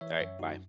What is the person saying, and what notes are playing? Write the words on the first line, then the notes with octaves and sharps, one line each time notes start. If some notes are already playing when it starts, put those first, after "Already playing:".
Alright, bye.
E3 C#5 E5
F#2 C#5 E5
F#2 D#4 F#4